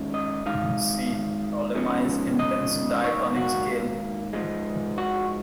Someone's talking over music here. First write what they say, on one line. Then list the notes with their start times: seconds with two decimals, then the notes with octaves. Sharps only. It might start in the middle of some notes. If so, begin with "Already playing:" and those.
See: Ptolemy's intense diatonic scale.
Already playing: D#3 G#3 C#4
0.14 D#5
0.46 D#3 G#3 D#4 F5
1.75 G#2 F3 G#3 C#4
2.39 D#5
3.04 G#2 D#3 A#3 C#5
3.36 F#4
4.33 G#2 F3 G#3
4.98 F#4